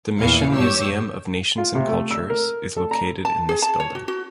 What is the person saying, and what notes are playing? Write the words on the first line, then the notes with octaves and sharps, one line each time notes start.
The Mission museum of nations and cultures is located in this building.
E2 A#2 E3 F5 C#7
G2 G4 C#5 E6
F4
C3
A3
E6
A#4
A4
A#5
A5
G#4
A5
C#5
F#4
F#4